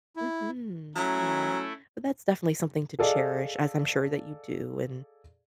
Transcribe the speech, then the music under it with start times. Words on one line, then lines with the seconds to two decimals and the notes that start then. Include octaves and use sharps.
Mhm, aw, but that's definitely something to cherish as I'm sure that you do, and
0.16 E4
0.96 F#3 A3 C#4 E4 A#5
2.99 G#4 A4 D5 D#5 F5